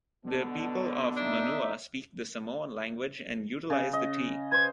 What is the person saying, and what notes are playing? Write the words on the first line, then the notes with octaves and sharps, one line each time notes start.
The people of Manua speak the Samoan language and utilize the "t".
B2 D3 B3 D4
D4 D#4 E5
C#3
D#5
B4 C5 G#6